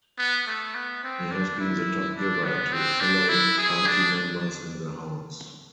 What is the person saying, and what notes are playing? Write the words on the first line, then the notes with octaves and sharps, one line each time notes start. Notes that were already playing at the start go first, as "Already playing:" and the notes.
He has been the top giver to fellow party members in the House.
B3
A3
B3
C4
D4
E4
D4
B3
C4
D4
E4
G#4
D4